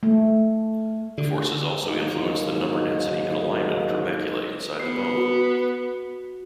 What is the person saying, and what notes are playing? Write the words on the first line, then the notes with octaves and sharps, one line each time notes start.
The forces also influence the number density and alignment of trabeculae inside the bone.
A3
D3
D#2 G#2 C#3 F#3 A#3 D#4
B3 C7
F#4